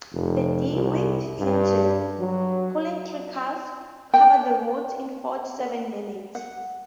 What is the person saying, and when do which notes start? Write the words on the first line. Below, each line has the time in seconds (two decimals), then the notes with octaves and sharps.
The DeWitt Clinton, pulling three cars, covered the route in forty-seven minutes.
0.13 F1
0.72 C2
1.38 G2
2.19 F#3
4.14 G5
6.35 F#5